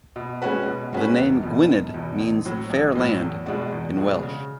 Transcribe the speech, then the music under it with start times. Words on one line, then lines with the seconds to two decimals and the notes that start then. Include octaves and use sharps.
The name Gwynedd means "Fair Land" in Welsh.
0.16 B2
0.42 G#3 C#4 F#4 B4
0.66 B2
0.93 G#3 C#4 F#4 B4
1.18 E1
1.43 E2 B2
1.68 E1
1.94 E2 B2
2.20 A1
2.45 A2 F#3
2.70 A1
2.95 A2 F#3
3.21 E2
3.46 B2 G#3 D4 F#4
3.73 E2
3.97 B2 G#3 D4 F#4
4.22 C#3